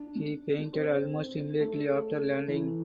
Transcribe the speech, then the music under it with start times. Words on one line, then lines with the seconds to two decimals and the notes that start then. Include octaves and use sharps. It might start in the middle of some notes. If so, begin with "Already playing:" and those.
He fainted almost immediately after landing.
Already playing: D4
0.73 C4
1.60 A3
2.47 E3